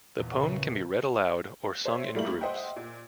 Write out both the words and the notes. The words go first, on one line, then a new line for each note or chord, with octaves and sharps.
The poem can be read aloud or sung in groups.
E2 A#2
C#3 E5
C5 C#5 E5
F3 G3 A3 A#3 E4 F#7
C5 D#5 E5 F#5 G5
A#2